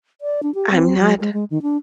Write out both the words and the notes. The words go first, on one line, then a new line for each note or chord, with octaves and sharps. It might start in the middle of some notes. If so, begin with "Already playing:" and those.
I I'm not
D5
D4
G4
C4
F#3
G#3
G#3
D#3
D4